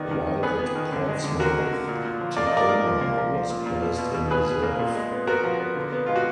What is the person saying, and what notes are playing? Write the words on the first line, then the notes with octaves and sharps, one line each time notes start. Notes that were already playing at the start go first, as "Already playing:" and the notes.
While at Portsmouth, "Tacoma" was placed in reserve.
Already playing: D#3 B3 D5
D#3
D#3
B3 G#4 B4
B3
D#3
D3
G#3
D3
D3 F#4 A#4
G#3
D3
A#2
A#2
F3
A#3 D5
D#5
F3 A#4 D5
A#3
F3
A#3
F3
F3
A#2
A#2
B2
B2
B2
B2 G#4 B4
B2
A#3
A#2
G#3
B3
B3 F#4 A#4
F3
B3
D3
B3
G#3 F4
F#4